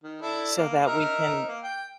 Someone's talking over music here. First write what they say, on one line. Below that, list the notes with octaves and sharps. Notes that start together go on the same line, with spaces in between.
so that we can,
D#3
D4 E4 A4
A#3
D#4 A#4 E5
A#3
G5